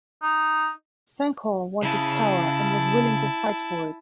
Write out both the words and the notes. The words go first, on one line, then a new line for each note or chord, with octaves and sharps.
Sankoh wanted power, and was willing to fight for it.
D#4
C#3 E4 A5